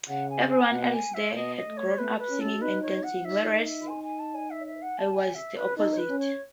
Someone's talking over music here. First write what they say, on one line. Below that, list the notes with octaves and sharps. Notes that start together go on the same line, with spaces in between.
Everyone else there had grown up singing and dancing, whereas I was the opposite.
C#3 F#5
G#5
G#5
B2 F#5
G#5
E5
C#5
B2 D#5
D#5
A3
C#5
A3 B4
B4
C#4
A4
D#4 B4
C#5
F#5
D#4 E5
D#5
E5
G#5
G#5
A5
G#5
E5
E5
F#5
A5
G#5
E5
B4
D#4 A4
C#5
B4
C#4
C#5